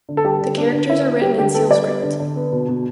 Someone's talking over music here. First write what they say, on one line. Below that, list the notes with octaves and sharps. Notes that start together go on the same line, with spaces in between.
The characters are written in seal script.
D3
A4
G3 G4
D3
B3 D4
D3
B3 E4
B3
G3 G4
D3 G4
B3 A4
G3 D5
B3
D3
D3
B3
B2
B2